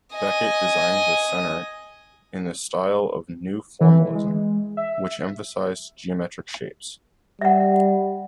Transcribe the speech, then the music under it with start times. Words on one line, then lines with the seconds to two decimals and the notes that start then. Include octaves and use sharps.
Becket designed the center in the style of New Formalism, which emphasized geometric shapes.
0.14 D#5 G#5
3.81 E3
4.15 G#3
4.77 E5
7.41 G3 E5 F#5